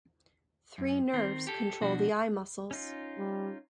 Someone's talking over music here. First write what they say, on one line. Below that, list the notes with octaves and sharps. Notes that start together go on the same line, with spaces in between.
Three nerves control the eye muscles.
F#2
D#3 C4
G4 A4
B2 F3 D4 F#4
C#4 D#4 F4
G3